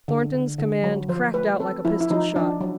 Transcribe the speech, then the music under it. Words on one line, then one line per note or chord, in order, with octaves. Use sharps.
Thornton's command cracked out like a pistol-shot.
D3
D3
D3
F#3
F3 C5
A3 B4
C4 A4
F3 E4
E4
F3 D#4
F3 D4
F#3